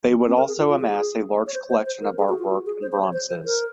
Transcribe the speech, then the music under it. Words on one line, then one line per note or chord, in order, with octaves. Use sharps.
They would also amass a large collection of artwork and bronzes.
C4
A#4
G#4
F4
F4
G#4
G#4
C#5
C5
C5
C5
A#4
G#4
F#4
F4
F#4
G#4
C5
C5
C#5
C5
C5
A#4